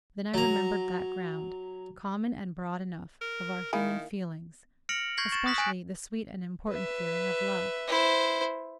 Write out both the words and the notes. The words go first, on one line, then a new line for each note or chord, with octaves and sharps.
Then I remembered that ground, common and broad enough, of our human feelings, especially the sweet and important feeling of love.
F#3 A#5
A#4
D#3 A#3 E4 G#4
F6 A#6 C#7 D7 F7 F#7
C#6 G6 G#6 A#6 C7 F#7
C#6 A6 E7
D#6 F#6 A#6 B6 F#7
G#5 F#6 D7
B4 E5
E4 C5